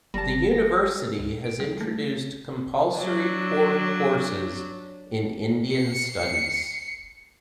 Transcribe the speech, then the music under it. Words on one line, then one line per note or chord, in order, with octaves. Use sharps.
The university has introduced compulsory core courses in Indian studies.
G1 G3 A5 A#6
D2
D7
G3
A3
F#3 D4
C7 C#7